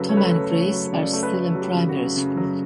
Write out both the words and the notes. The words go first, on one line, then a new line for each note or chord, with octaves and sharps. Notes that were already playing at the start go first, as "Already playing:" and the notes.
Tom and Grace are still in primary school.
Already playing: C#3 F#3 A4 B4
A3 C#5
B4
A4
C#3 B4
A3 C#5
F#3
C#3 D5
A3
B4
A3 A4
F#3
G4
C#3
F#4
C#3
C#3
F#3